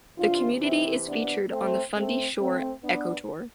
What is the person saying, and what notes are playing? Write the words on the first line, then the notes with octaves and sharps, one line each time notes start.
The community is featured on the Fundy Shore Ecotour.
C3 E3 D4 F4
C4 E4
B3 D4
A3 C4
A3 C4
A3 C4
B3 D4